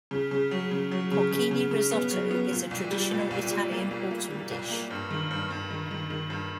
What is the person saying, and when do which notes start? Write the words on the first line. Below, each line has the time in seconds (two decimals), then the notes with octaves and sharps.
Porcini risotto is a traditional Italian autumn dish.
0.11 C#3
0.31 C#3
0.51 F#3
0.71 C#3
0.92 F#3
1.11 C#3
1.31 C#3
1.51 C#3
1.71 C#3
1.91 B3
2.11 F#3
2.31 B3
2.51 A#2
2.71 C2
2.91 G3
3.11 A#2
3.31 C2
3.51 G3
3.71 A#3
3.91 C2
4.11 A#3
4.31 G3
4.51 C2
4.70 A#3
4.91 G2
5.11 D#3
5.31 G2
5.50 G2
5.70 D#3
5.91 D#3
6.10 D#3
6.30 G2